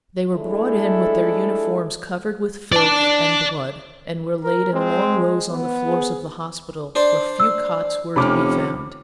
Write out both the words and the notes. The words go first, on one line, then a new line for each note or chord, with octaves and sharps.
They were brought in with their uniforms covered with filth and blood, and were laid in long rows on the floors of the hospital where few cots were to be found.
G#3 A3 D4 E4 A4
D5 A5
A#4
G#3 C4
B3
G#4
D4 C5 D5
E6
F1 C3 C#4 B5 D6 F6